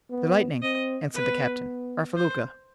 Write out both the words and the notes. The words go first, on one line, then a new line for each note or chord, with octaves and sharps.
"The Lightning," answered the captain, "our felucca."
B3
C4 D#5
B3 B4
C5